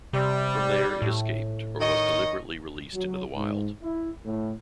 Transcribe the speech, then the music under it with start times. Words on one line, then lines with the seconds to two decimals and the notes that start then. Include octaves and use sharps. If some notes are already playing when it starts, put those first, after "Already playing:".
From there, it escaped or was deliberately released into the wild.
0.13 C3 G3
1.02 A2
1.80 D#3 C#5 D#5
2.94 F#3
3.34 G#2
3.82 E4
4.24 A2